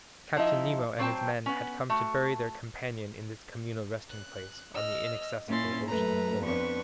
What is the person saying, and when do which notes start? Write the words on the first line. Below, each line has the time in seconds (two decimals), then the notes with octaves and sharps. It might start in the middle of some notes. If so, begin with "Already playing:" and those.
Captain Nemo and his men had come to bury their companion in this communal resting place on the inaccessible ocean floor!
0.36 F3 D#4 E4 D#5 E5
0.98 A#2 F#3 C4 E4 G5 A5
1.46 B3 C#4
1.90 A3 F#4
4.09 F#6
4.74 D#5 E6 F6
5.47 A#2 C#4 E4 C6 A6
5.88 F#2 A3 A4 B4 A#5
6.42 F2 B3 C4 D4 B4 C#6